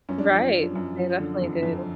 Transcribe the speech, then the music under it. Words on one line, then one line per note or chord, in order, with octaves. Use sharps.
Right. They definitely did.
F#2 C#4
D4
F3 C#4
F3
F#2
F3
D3
F2
F2